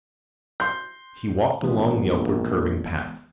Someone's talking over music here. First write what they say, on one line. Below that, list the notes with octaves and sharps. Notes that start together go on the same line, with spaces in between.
He walked along the upwardcurving path.
C6 G6
A#1 E3 G#3 B3